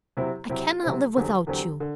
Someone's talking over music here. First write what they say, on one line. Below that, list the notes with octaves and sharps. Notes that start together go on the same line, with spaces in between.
I cannot live without you!
C3 F#3 C4 E4 G4
C3 F#3 C4 E4 G4
C3 F#3 C4 E4 G4
E2 D3 F#3 C4 G4
E2 D3 F#3 C4 G4
D3